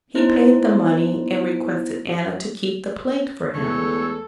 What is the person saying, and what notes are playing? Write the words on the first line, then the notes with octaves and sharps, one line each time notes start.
He paid the money, and requested Anna to keep the plate for him.
B3 D#4 E4 C5
E2 G#3 A3 D4 A4 C#5